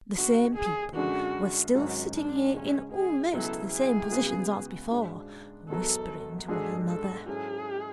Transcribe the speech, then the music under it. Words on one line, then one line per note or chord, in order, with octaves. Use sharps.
The same people were still sitting here in almost the same positions as before, whispering to one another.
F#1 E2 D3 F#4
G#4
F#2 D3 G#3 D4 F#4
G#1 G#2 F#3 C#4 F#4
D4
C#2 C#3 G#3 C#4
G#4
C#2 B2 F#3 B3 E4 A4
G#4
C#3 G#3 B3 F#4
G#2 G#3 D4 F#4
E1 E2 B2 F#3 B3 A4
G#2 G#3 D4 F#4 G#4 A4
A4
G#2 F#3 C#4 E4 G#4 A4